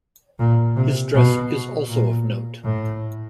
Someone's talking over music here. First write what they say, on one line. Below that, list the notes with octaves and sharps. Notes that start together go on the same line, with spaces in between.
His dress is also of note.
A#2
C3
B2
A#2
A2